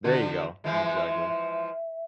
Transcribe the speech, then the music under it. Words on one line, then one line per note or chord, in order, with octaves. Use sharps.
There you go. Mm, exactly.
D3 F3 F#4
E3 F3 G#3 E5